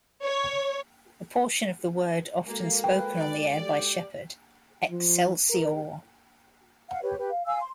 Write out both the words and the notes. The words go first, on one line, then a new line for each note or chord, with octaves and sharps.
A portion of the word often spoken on the air by Shepherd - Excelsior!
C#5
G#3 A#3 F#4 A4
B4 G5
D5
G4
F3
A#4
F5 F#5
G4 B4 C#5
G4 B4
F5
F5 G#5 E6
C6